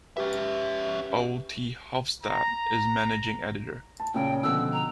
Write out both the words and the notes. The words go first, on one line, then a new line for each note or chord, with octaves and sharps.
Ole T. Hofstad is managing editor.
C#4 G4 B4 E5
A#5
A5
A#2 C#3 C#4 G5
B2 D3 F3 E6
A#5